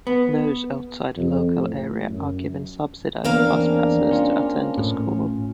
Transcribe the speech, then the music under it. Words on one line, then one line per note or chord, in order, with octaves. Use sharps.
Those outside the local area are given subsidized bus passes to attend the school.
B3
F2
A2
F#2
E2 C#3 A#3 C4 D4 A#4 F5
C#4 F4
A2